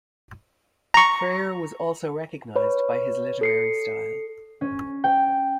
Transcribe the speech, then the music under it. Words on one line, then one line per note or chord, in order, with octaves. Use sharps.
Freyre was also recognised by his literary style.
A#5 C#6
B4 C#5 B5
A4 C7 C#7
C#4
G5